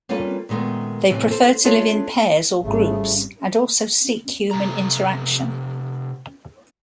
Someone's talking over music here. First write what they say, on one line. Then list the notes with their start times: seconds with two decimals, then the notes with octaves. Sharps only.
They prefer to live in pairs or groups and also seek human interaction.
0.09 G3 A#3 C#4 F4 A4 B4
0.49 A#2 D#3 G#3 A3 B3
1.10 A2 C3 E3
1.30 A4 C5
1.64 D4 F4 G#4 A4 C#5 E5
2.62 G#1 C#3 G3 A3
4.51 C3 A3 A#5